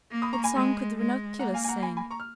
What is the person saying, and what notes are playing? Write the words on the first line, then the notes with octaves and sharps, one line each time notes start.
What song could the Ranunculus sing?
A#3
B5 D#6
A#5 C#6
G#5 B5
G#3
G#3
A#3 F#5 A#5
F5 G#5
G#5
F#5 A#5
G#5 B5
G#5 B5
A#5 C#6
F6